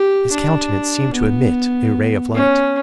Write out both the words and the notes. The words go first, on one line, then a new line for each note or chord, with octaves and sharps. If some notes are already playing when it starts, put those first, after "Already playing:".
His countenance seemed to emit a ray of light.
Already playing: G4
D4
B3
C#4